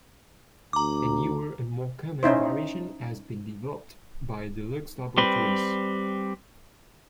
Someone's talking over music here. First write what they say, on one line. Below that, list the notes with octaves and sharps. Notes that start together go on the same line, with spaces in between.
A newer, and more common variation, has been developed by Deluxe Laboratories.
D2 A#5 D6
C#4 D#4 E4 C5
G3 C4 B4